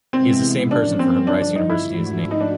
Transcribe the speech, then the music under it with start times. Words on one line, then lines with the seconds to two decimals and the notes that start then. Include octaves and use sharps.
He is the same person for whom Rice University is named.
0.13 C3 E3 G#3 B3 C4 E4
0.70 A#2 F3 A#3 C#4 D4
0.99 C4
1.27 G2 D3 F3 D4
1.41 D4
1.56 D#4
1.70 E4
1.84 G#2 F3 A3 D4 F#4
2.31 D#4
2.40 D4